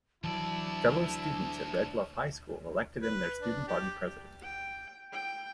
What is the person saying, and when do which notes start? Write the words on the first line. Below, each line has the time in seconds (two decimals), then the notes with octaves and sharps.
Fellow students at Red Bluff High School elected him their student body president.
0.24 D2 E3 F#3 E4 D5 A5
3.02 B4
3.42 D4
3.68 G4
4.43 G5
5.13 G5